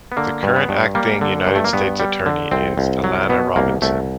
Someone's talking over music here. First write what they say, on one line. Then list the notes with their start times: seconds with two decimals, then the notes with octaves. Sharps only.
The current Acting United States Attorney is Alana Robinson.
0.12 B3
0.17 D3 A#3
0.43 G2
0.56 B3
0.69 G2
0.95 G3 A#3
1.21 D3
1.47 G2
1.56 A3
1.64 A#3
1.73 G2 B3
2.00 G3
2.26 D3
2.51 C2 C4
2.78 C2
3.04 F#3
3.29 B2 B3
3.56 C2 A#3
3.82 C2 A3